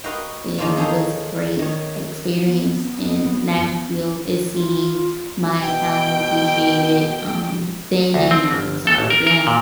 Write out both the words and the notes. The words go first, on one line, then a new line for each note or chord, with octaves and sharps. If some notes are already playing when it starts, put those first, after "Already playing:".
it was great experience in Nashville is seeing my talent appreciated, um, then and now, so, yeah.
F#4 A#4 B4 D#5 F5 G5
D#3 F3 A#3 C#4 F4
D#4 G#4 A4 C5 C#5
D#3 C#5
B3
F4
B2 G5
D2
C4
G1
A4
A1
A#4
A#4
A#2